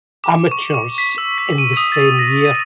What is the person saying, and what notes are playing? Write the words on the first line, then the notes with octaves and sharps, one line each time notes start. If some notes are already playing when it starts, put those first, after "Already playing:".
Amateurs in the same year.
D6
C#6
C#6
B6
E6
B6
D#7
D#6
A6
A#6
D#7